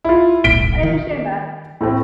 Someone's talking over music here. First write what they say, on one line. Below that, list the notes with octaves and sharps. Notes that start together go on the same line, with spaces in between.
I understand that.
E4 F4
D#1 B1 A2 B6 D7 G7
D#3
A2 A3 C4